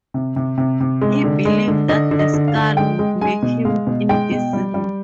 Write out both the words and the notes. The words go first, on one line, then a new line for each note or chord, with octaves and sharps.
He believed that the skull would make him invisible.
C3
C3
C3
C3
G#3
D3
G#3
D3
D3 D#5
D3
D#5
D3
F5
D3
G#3 G5
G#3
G#3 G#5
B2
G#3 F5
B2
G#3 G5
B2
G3
G3